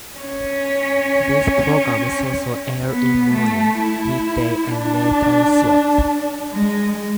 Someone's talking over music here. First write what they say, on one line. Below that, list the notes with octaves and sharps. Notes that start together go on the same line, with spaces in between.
These programs also air in morning, midday and late time slots.
C#4
B3
A3
E4
D4
G#3